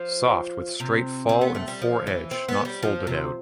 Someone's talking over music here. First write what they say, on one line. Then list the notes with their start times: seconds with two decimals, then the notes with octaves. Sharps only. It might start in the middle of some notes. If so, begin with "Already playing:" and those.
Soft with straight fall and fore edge not folded out.
Already playing: F3
0.80 C3
1.29 C4
1.41 B3
1.55 A3
1.68 G3
1.82 F3
2.07 E3
2.31 C4
2.48 B3
2.65 G3
2.83 F3
3.07 C3